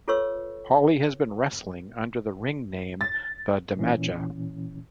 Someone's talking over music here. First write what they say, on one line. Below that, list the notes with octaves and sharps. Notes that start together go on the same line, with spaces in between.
Hollie has been wrestling under the ring name The Damaja.
F4 A4 B4 C#5 C#6 E6
A6
A#2 E3 C#4